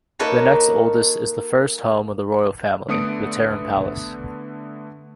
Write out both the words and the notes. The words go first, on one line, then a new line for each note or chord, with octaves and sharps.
The next oldest is the first home of the royal family, the Terem Palace.
A#3 D#4 A4 B4 C#5 A#5
D3 A3 B3 D#6 C#7 D7